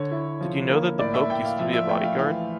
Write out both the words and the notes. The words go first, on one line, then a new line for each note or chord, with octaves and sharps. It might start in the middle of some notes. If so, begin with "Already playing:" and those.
Did you know that the pope used to be a bodyguard?
Already playing: D3 C#5
E4
F3
A#3
A2 D5
E5
A2 G5
F5
F3 E5
E5
A3 G5
F5
E3 F5